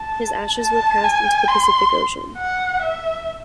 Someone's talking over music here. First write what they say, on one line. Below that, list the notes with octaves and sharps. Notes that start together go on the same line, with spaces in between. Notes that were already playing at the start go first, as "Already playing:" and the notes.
His ashes were cast into the Pacific Ocean.
Already playing: A5
A5
G#5
C6
F#5
E5